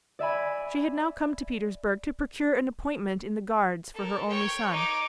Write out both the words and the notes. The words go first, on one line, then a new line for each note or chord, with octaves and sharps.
She had now come to Petersburg to procure an appointment in the Guards for her only son.
D5 E5 G#5 B5
A4 A#4
C#5 G5
D#4 D6